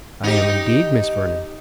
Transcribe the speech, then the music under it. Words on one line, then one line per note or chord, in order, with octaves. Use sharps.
"I am, indeed, Miss Vernon."
D#4 G4